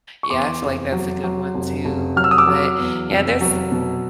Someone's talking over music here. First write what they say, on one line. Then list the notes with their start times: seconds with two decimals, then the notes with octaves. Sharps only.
yeah, I feel like that's a good one, too, but, yeah, there's
0.23 C#6
0.30 E2 C6 D6
0.62 F1
0.92 F#3
1.24 F#3
1.54 F1
1.85 F1
2.16 F#3 F6
2.24 E6
2.31 D#6
2.38 D6 E6
2.47 F#3
2.79 E2
3.10 F1
3.41 F#3
3.72 B2